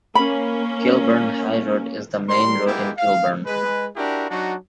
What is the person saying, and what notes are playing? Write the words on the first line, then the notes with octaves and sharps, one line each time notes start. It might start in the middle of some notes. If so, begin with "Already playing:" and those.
Kilburn High Road is the main road in Kilburn.
A#3 C#4 B5
G3 A#4 C6
G#3 A#3 B3 E4 G4
F5
G#3 B4
D4 E4 F#4 G4 A#4
F#3 D4 D#4 F#4